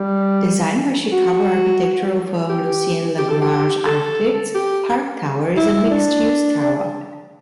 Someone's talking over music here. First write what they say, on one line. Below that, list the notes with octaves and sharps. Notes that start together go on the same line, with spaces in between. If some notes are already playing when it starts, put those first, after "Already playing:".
Designed by Chicago architectural firm Lucien Lagrange Architects, Park Tower is a mixed-use tower.
Already playing: G3
F#4
G4
G4
A4
G4
A4
G4
E4
D4